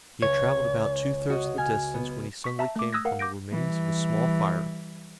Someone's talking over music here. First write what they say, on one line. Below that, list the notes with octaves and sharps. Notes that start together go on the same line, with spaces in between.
He had traveled about two-thirds of the distance when he suddenly came upon the remains of a small fire.
C#2 C#5
F#4 D#5
G#5 F6
B3
C#6 B6
E5 A5 A#5
A3 D6
D#6 E6 F#6 G#6 A#6
A#4 F5 F#5
D6 G6 A#6 D7
E3 G3